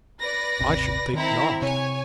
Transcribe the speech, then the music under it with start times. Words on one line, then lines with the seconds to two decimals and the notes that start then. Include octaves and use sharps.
"I should think not."
0.21 B4 D5 A#6
0.59 D#1 G#1 C3
1.14 D#3 C4 E4 A#5
1.62 C3 C#5 G#5